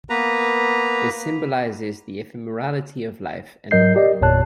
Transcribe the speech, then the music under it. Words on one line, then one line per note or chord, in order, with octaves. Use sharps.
This symbolizes the ephemerality of life and the world.
A#3 B3 B4 A#5
G#2 F#3 A#4 D#5 G6 C7
G4 D5 D#5
G1 E2 A#2 C#5 A5 F#6